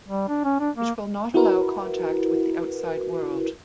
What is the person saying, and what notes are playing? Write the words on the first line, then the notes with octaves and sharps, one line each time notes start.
It will not allow contact with the outside world.
G3
D4
C#4
D4
A#3
E4 F#4 A#4 B4